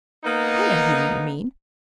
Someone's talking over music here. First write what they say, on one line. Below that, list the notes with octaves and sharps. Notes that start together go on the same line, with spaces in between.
I know whom you mean.
A#3 B3 D#4